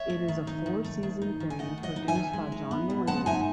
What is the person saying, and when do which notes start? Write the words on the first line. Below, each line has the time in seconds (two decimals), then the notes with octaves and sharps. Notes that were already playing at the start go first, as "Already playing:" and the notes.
it is a four-season thing produced by John Mulaney
Already playing: C#5 E5
0.10 A3
0.28 D#3
0.47 D#4
0.66 D#3
0.84 A3
1.03 D#3
1.22 D#4
1.40 D#3
1.50 G#5
1.59 A3 D#5 F#5
1.78 D#3
1.83 D#5 F#5
1.96 D#4
2.08 E5 G#5
2.15 D#3
2.33 G#3
2.52 D#4
2.71 B3
2.90 B2
3.07 G#3 F#5 A5
3.26 D#4 E5 G#5